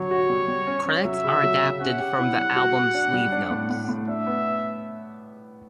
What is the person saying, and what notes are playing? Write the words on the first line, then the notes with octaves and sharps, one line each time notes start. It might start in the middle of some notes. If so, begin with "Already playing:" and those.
Credits are adapted from the album's sleeve notes.
Already playing: D3 F#3 F#4 C#5
F#4
G3
G3
C#4
C#4
F#3 E5
C#3
F#3
C#3
C#4 F#5
G4
E4
G3
F#4
F#4
D4
G3
D4
A2
A2
A2
D4 E5
B3